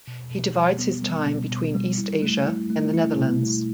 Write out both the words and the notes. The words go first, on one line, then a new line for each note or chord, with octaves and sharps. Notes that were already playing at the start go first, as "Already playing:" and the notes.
He divides his time between East Asia and the Netherlands.
B2
B2
G3
B3
G3
B2
B2
G3
E4
A3
E4
A3
E4
B2
A3